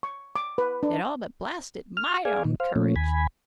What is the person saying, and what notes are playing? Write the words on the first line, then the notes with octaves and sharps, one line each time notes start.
It all but blasted my own courage.
C#6
D6
B4
D4
F6
G#4 D5 F5 G#5
A#2 D#3
C5 F5
A#2 F3 A3 C#4
D#2 G#5 B5